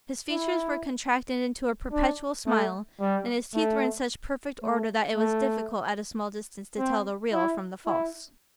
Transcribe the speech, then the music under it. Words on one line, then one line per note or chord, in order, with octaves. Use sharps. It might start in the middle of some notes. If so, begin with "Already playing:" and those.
His features were contracted into a perpetual smile; and his teeth were in such perfect order that it was difficult at a small distance to tell the real from the false.
E4
D4
A3
G3
A3
A3
A3
C4
E4
E4